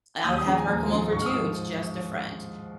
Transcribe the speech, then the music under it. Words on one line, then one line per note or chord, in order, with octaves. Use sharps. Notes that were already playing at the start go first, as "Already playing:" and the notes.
I'd have her come over, too, it's just a friend."
D#2 D#6
D#6
C#3 F3 A#5
G#5
D#2 A#5
C#3 F3
G#2 C#6
F6
D#6
F3